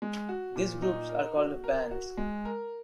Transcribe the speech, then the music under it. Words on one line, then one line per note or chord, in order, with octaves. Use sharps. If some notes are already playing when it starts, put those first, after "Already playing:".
These groups are called bands.
G#3
F#4
A#2
D#4
A#4
F#4
A#4
F#4
G#3
A#4